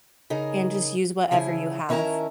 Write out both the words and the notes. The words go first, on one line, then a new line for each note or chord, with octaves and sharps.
and just use whatever you have.
C#3 D#4 G#4 A#4
C#3 F3 E4 G#4
D#3 C#4 E4 A#4 A5 A#5